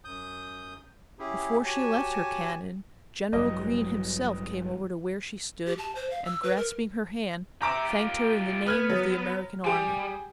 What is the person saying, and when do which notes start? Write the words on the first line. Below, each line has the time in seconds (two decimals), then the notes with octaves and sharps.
Before she left her cannon General Greene himself came over to where she stood and grasping her hand thanked her in the name of the American Army.
0.04 F#2 D#6 G6
1.19 C#4 E4 G4 G#4
1.65 F#4 G4 C#5 G#5 A5
3.33 A1 G2 F#3 D#5
5.66 G4
5.78 A5
5.95 C5
6.10 F5
6.25 E6
6.43 B4
6.56 A#4
7.62 G4 E5 A#5 D6 D7
7.85 F4 G4
8.66 B3 B4 F6 G#6
8.89 F#3
9.64 G3 G4 G#4